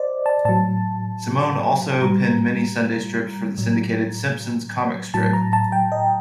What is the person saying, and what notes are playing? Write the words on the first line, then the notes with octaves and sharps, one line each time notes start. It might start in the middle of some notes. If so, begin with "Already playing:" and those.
Simone also penned many Sunday strips for the syndicated "Simpsons" comic strip.
Already playing: C5 D5 D#5
A5
A2 F#3 A5
A2 G3 A#5
A2 F#3
A2 F#3 A5
A#5
A5
G5
D#5